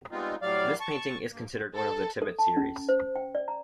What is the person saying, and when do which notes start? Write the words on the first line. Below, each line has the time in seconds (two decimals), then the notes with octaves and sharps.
This painting is considered one of the "Tibet Series".
0.11 G3 G#3 B3 C4 D#4 F4
0.42 A2 F#3 G3 D5 F5
0.80 A5 C#6
1.32 G2 A#3
1.74 A4
2.22 A4
2.39 A5
2.57 C#4
2.89 C5
3.16 G5
3.35 D5
3.48 A#5